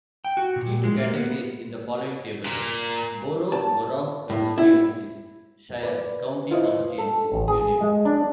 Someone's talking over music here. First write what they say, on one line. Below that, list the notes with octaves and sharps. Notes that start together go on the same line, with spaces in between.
"Key to categories in the following tables:" Boro': Borough constituencies, Shire: County constituencies, Univ.
G5
F#4
A#2
G#3
A#3
B3
A#2
A5
A2
E4
B4 D5
B4
E4 F4 B4 C5 D#5
A4
A1
G#4
G#3
D4